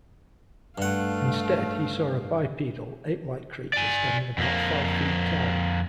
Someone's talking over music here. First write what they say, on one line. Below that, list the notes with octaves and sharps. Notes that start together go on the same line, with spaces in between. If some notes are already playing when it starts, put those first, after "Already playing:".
Instead, he saw a bipedal, ape-like creature standing about five feet tall.
G2 A3 F5 F#5
D5 G#5
F2 A#3